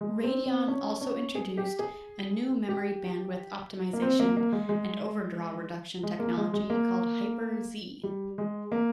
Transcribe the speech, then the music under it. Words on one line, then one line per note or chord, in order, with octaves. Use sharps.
Radeon also introduced a new memory bandwidth optimization and overdraw reduction technology called HyperZ.
G#3
C4
C4
C#4
C#4
G#4
G4
G#4
G4
A#3
C4
A#3
A#3
G#3
G#3
G#3
A#3
G#3
G#3
A#3
G3
G#3
A#3